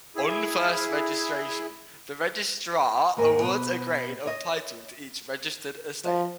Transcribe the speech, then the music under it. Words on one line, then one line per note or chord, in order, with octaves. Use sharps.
On first registration, the registrar awards a grade of title to each registered estate.
E4 G#4
D#2 G#2 A#4 G#5
B2 B3 C5
C#5 D#5
F3